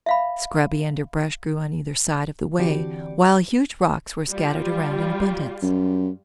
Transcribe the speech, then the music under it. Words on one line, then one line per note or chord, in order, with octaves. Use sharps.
Scrubby under-brush grew on either side of the way, while huge rocks were scattered around in abundance.
E5 F5 B5
D3 E3 C4 F#4 G4 D5
G3 F4
F#2